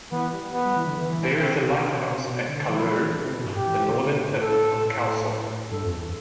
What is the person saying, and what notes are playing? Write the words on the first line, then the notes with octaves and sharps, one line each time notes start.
There is a lighthouse at Kallur, the northern tip of Kalsoy.
E3 B3
G3
B3
G3
E3
D3
E3
C4
D3
B2
B2
C3
B2
D3
E3 E4
F3
G3
E3
D3
C3
B2
G2
A2 G4
E3
E3
D3
C3
B2
A2
A2
A4
A2
G2 A4
F2
E2